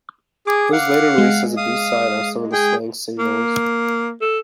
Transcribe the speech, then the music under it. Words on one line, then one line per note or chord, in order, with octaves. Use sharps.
It was later released as a B-side on some of the "Slang" singles.
G#4 D6
F5 F#5
G#3
F5 D#6
G#4 G5
A#3
A4